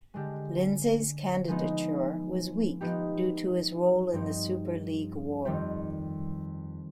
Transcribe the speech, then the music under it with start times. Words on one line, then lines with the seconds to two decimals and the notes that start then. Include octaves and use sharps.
Lindsay's candidature was weak due to his role in the Super League war.
0.14 D3 G#3 D4 G4
1.48 F3 G#3 B3 D#4
2.81 F3 B3 D#4 G4
4.13 G2 F3 C4 D#4
5.45 F2 D#3 G3 C4 G4